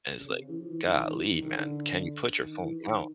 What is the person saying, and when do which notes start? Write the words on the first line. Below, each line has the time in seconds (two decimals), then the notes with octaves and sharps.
and it's, like, "Golly, man. Can you put your phone down?"
0.18 C#3
0.27 C3
0.38 C#3
0.49 E3
0.59 F3
0.70 E3
0.80 D#3
0.91 D#3
1.01 D#3
1.13 E3
1.26 E3
1.41 D#3
1.55 D3
2.40 D#3
2.61 E3
2.83 D#3